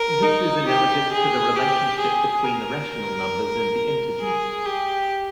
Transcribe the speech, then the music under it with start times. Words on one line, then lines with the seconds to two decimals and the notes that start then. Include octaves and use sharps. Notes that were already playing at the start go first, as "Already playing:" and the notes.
This is analogous to the relationship between the rational numbers and the integers.
Already playing: A#4
0.23 D#4
0.67 G4
1.11 G#4
1.56 G4
2.00 G#4
2.44 A#4
4.21 G#4
4.65 G4